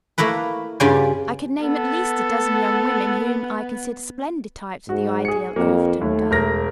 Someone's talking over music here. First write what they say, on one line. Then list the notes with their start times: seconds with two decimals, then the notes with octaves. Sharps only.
"I could name at least a dozen young women whom I consider splendid types of the ideal Overton girl."
0.18 A3 A#3 E4 A#4 B4
0.80 G2 C#3 F4 D5 G5 G#5
1.62 B3 A4
4.89 G#2 F#4
5.25 G#4 C#7
5.56 F2 A#3
6.01 D#2 A3
6.31 E1 A#4 A#6